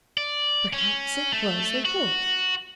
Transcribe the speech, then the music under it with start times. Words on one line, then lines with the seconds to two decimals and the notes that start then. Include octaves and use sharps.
Perhaps it was a wolf.
0.18 D5
0.73 C#4
1.32 A3
1.85 F#4